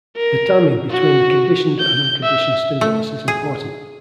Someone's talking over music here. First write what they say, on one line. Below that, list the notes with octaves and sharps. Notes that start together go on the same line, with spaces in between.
The timing between the conditioned and unconditioned stimulus is important.
A#4
F#4
G6
E5
A3
G#4